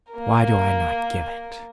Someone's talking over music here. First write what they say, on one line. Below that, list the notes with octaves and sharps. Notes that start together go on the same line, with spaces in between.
Why do I not give it?
A#3 A#4